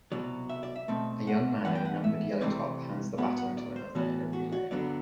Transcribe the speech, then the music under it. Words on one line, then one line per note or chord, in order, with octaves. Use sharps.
A young man in a numbered yellow top hands the baton to another in a relay.
C2 B2 F#3 D5
E5
D5
E5
B2 A3 C4
F#5
A2 E3 B3 F#5
G5
F#5
E5
C2 C3 E3 A3 C4 D5
A2 F#3 B3 F#5
F#5
D5
C5
A2 E3 B3 F#4
F#4
F#4
G2 D3 F#3 B3 D5